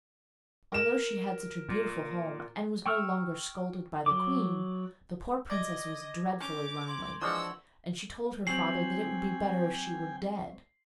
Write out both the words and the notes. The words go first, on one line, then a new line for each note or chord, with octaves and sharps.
Although she had such a beautiful home, and was no longer scolded by the queen, the poor princess was dreadfully lonely, and she told her father that it would be better if she were dead.
A#4 E7
A#2
G5 C#6 E6 F6
F#3 D6
D5 D#5 D6 G#6 A#6
C#4 D6 G6 F7 G7
C6 G#6 F#7
E3 F3 G#3 D4 F#5 C#6 E6
F#3 C4 G5 G#5 C7 F#7